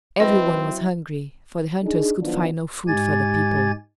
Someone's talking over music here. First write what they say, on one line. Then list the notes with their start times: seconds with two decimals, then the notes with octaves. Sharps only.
Every one was hungry, for the hunters could find no food for the people.
0.20 F#3 C4 E4 B4 D#5
1.83 D4 D#4 G#4
2.20 D#3 F3 F#3 B3 D4 E4
2.88 G#2 G#3 G4 G#5 G#6 A6